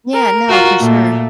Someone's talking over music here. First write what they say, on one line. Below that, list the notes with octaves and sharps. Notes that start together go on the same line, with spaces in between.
Yeah, no, for sure.
A#4
F4 F#4
A#2 A3